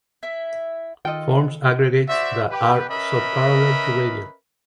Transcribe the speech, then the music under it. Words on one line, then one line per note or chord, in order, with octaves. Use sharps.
Forms aggregates that are subparallel to radial.
E4 E5
D#3 F4 A4 D#5 G5
F#4 C5 D5 E5
G4 B4
C#4 A#4 B4 D#5 E5 B5